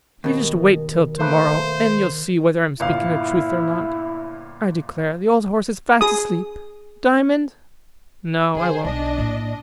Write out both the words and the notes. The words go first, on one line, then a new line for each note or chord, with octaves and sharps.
"You just wait till to-morrow, and you'll see whether I'm speaking the truth or not.--I declare the old horse is fast asleep!--Diamond!--No I won't."
D#2 B2 A#4
A3 A#3 B4 C5
G1 A#2 E4 F5
G#4 D#6
D3 G#4 C5
B1 D4 D#5
A2 A#3